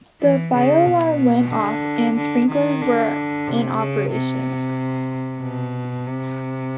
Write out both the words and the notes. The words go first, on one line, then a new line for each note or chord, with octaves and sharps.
The fire alarm went off and sprinklers were in operation.
E3
C#3
B2
D3
D3
D#3
D3
C3
C#3
C3
B2
C3